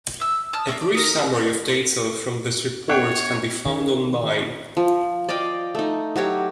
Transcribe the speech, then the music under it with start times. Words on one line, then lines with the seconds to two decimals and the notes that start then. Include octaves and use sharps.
A brief summary of data from this report can be found online.
0.20 E5 E6
0.53 A5 D#6 F6
0.67 A#3 D4 F#4 E5
0.81 D5
0.95 D#4 A#4
2.89 B3 C#5 F#5 G5
3.66 D#3
4.77 F3
5.29 D5 D#5 F5 G5
5.75 A3 D#4
6.16 F#3 F#4 G4 C#5